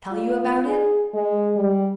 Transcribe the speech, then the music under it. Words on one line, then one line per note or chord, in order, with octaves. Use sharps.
Tell you about it?
F4
G#4
G#3
G3